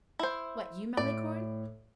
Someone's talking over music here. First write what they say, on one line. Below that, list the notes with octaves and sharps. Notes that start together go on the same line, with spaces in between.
"What, you, Malicorne?"
E4 C5
A2 D5